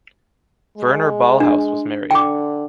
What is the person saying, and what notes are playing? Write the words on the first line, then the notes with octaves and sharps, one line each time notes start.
Werner Ballhaus was married.
G#3
D4
D3 G5 D6